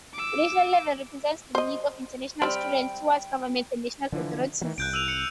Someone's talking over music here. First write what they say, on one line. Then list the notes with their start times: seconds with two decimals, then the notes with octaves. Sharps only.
The national level represents the needs of international students towards governments and national authorities.
0.14 D6 E6
1.55 C5 D#5
2.42 G3 C4 G5 B5 F6
4.12 D3 E3 F3
4.62 D#3 E3 F#3
4.78 C2 F#6 G6 D7
4.93 E6 D#7 F7
5.08 C#7